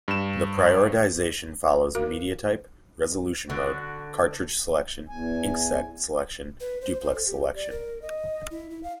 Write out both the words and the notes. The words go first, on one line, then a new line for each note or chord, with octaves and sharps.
The prioritization follows: media type, resolution mode, cartridge selection, inkset selection, duplex selection.
G2 E7
F#4 A#4 F5
D3 F#4
E2 G#5
B4
C5
C5
A4
G4
D5
A#4
D#5
E4
E4
F5